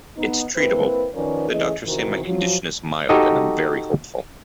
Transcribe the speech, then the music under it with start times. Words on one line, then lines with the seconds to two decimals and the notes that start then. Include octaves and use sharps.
It's treatable - the doctors say my condition is mild and I'm very hopeful.
0.17 B3 D#4
0.55 A#3 C4 E4 B4
1.14 D#3 F3 C#4 A#4 B4 D5
1.51 E3 A3 C#4 G#4 D#5
1.86 C3 D#3 E3 C4 F#4 A#4
2.25 F3 F#3
3.09 D#4 F#4 G4 A4 D#5